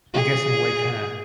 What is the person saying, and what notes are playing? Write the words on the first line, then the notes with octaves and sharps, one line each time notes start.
I guess, in a way, kinda
G#4